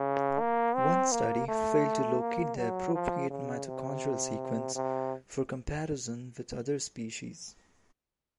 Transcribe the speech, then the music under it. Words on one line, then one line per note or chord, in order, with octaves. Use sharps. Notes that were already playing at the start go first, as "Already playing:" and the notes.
One study failed to locate the appropriate mitochondrial sequence for comparison with other species.
Already playing: C#3
A#3
C4
A#3
A3
A#3
F#3
F3
C#3
C3
C3